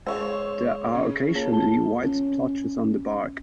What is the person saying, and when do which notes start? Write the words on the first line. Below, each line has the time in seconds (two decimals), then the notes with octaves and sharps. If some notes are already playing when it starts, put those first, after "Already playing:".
There are occasionally white splotches on the bark.
0.07 G#3 G#4 C5 C#5 E6
0.93 C#3 C#4
1.35 A#3 F4 G#4 A#4 C#5 A5
1.52 F4 A5 G7
2.03 C#4